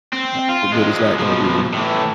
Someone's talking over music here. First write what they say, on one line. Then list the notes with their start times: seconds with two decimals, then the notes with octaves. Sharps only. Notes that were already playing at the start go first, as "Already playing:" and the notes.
ah, what good is that gonna do you?
0.13 C4
0.49 F4
0.73 F3 G#3
1.19 B2 F3
1.73 A2 E3